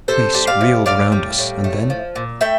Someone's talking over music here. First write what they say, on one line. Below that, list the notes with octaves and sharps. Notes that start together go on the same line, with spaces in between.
Space reeled round us, and then....
C3 A4 C5
G3
D5 F5
C3
A2 D5 F5
G3
A2
A3
F3
A#2
A3 E5 G5